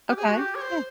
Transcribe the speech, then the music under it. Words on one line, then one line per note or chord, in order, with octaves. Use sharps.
Okay, yeah.
G4
G#4
F#4
G4
C#5
C5